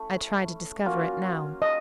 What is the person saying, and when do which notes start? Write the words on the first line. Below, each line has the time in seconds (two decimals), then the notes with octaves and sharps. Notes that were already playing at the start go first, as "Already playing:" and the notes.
I tried to discover it now.
Already playing: A3 C#4 E4
0.85 F#3 A#3 C#4 F4
1.62 D#5